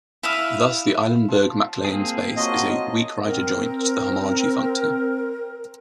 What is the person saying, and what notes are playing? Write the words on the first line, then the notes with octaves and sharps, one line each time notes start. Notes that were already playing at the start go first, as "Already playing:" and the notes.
Thus, the Eilenberg-MacLane space is a "weak right adjoint" to the homology functor.
E4 E5 F5 D#6
F3
A#3 C4 G#4
F3 F#3 F4 D#5
C4 A#4